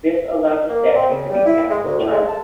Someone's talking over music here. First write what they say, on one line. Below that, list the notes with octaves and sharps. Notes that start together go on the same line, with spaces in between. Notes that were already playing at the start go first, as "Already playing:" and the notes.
This allowed the statue to be cast in China.
A#3
C4
C#3
G3
E4
G#3
D2
A2
G#3
A5